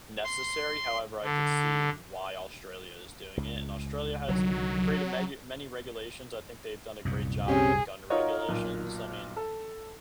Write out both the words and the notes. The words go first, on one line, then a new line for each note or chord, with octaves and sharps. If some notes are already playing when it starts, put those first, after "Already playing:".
necessary; however, I could see why Australia is doing it and Australia has created meg many regulations, I think they've done a great job with gun regulations. I mean,
C6
D3
C#2
C2 D3 D#3 F#3
C2 F#2 A#2
C4 C#4 G4 G#4
D#4 F4 F#4 A#4 C#5 D#5
B1 A#2
A4